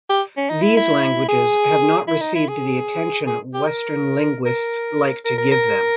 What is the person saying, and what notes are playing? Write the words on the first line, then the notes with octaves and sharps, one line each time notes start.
These languages have not received the attention Western linguists like to give them.
G4
C#4
D#4
E4
E4
G#4
E4
D#4
E4
G#4
G#4
G4
A#4
A#4
A#4
A#4
A#4